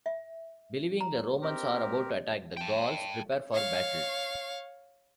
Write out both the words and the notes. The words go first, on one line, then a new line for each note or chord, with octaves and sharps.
Believing the Romans are about to attack, the Gauls prepare for battle.
E5
A#5
C4 G4 A#4
G5 A5
C#5 F5